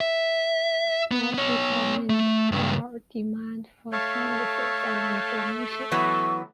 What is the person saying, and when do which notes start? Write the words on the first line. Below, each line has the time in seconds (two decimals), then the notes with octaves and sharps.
More people meant more demand for services and information.
0.01 E5
1.11 B3
1.34 B3 C#5
2.10 A3
2.52 C#2 G2
3.92 A3 C#5 F5 A5
5.92 E3 F#3 B3 C#6